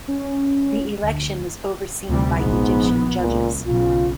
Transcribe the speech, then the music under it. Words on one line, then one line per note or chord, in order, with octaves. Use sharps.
The election was overseen by Egyptian judges.
C#4
D2
D2 C3 G3
A#1 G#2 B3
C#2 A#2
B1 C#3 F4